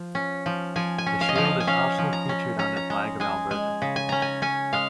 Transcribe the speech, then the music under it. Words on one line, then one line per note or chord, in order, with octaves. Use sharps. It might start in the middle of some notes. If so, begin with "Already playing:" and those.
The shield is also featured on the flag of Alberta.
Already playing: F3
C#4
F3
F3 G#5
G#5
C#4
F5
D#5
F3 F5
D#5
G#5
C#4 F5
F3
A#5
C#4
C#4 A#5
A#5
G#3 A#5
G#3 G#5
G#3 G#5
C#3
G#5
C#4 A#5
G#5
C#4 G#5
G#3 F5